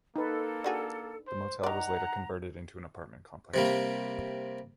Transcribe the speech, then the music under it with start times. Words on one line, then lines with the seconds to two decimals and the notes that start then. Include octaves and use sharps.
The motel was later converted into an apartment complex.
0.16 A#3 D#4 A4 B4
0.64 D4 F#4 G#4
1.27 C5
1.64 D#3 D5 F#5 A#5
3.54 C3 G3 A#3